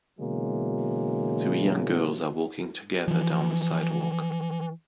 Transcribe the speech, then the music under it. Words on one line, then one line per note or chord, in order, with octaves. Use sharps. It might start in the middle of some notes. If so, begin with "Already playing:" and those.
Three young girls are walking together down the sidewalk.
B2 D3 E3 F#3 G#3 A#3
E3 F3